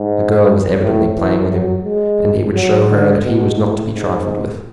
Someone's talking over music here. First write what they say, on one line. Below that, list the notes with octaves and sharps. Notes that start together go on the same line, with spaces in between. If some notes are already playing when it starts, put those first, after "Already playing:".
The girl was evidently playing with him, and he would show her that he was not to be trifled with.
Already playing: G#2
A2
E3
F#3
G#3
F#3
D3
B2
A2
G#2